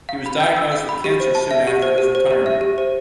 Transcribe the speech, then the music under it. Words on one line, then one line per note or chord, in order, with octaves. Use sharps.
He was diagnosed with cancer soon after his retirement.
F5
B5
G6
E6
F5
B5
G4
C5
A5
E5
G4
C5
G4
C5
G4
E5
G4
C5